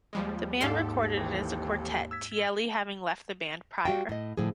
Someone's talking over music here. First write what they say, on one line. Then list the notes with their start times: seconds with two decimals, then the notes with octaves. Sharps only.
The band recorded it as a quartet, Tielli having left the band prior.
0.13 D#2 F3 G3 G#3
0.61 G#2 G4 A4 F5 C6
1.17 G#1 E3 G5
2.11 E6 G#6 B6
3.85 G3 F#4 F5 G5
4.09 A2 D#5
4.37 A2 D3 F3 G#4